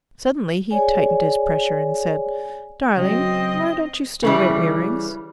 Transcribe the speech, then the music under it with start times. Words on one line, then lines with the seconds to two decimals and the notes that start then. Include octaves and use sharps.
Suddenly he tightened his pressure, and said, "Darling, why don't you still wear ear-rings?"
0.71 G#4 C#5 D5 G#5
2.97 C#3 F#3 C4 D#5
4.23 C#3 E3 G3